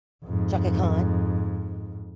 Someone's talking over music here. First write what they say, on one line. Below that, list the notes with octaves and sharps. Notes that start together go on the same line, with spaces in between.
Chaka Khan.
F2 G#2